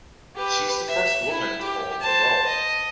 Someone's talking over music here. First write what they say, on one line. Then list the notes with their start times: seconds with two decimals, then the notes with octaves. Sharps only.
She is the first woman to hold the role.
0.36 G4 B4
0.89 E5
1.28 E4
1.61 G4
2.01 C5 A5
2.45 D#5